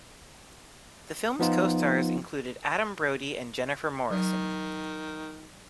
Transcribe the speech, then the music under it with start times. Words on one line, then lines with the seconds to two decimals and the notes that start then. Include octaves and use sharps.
The film's co-stars included Adam Brody and Jennifer Morrison.
1.39 F3 B3 D#4 F4
4.10 D#3 F#3